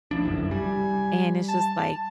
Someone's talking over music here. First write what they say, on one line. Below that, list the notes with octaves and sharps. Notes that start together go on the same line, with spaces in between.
and it's just like,
D#2 F3 D4 E4
G1 C2 F#2
G3 G#5
A5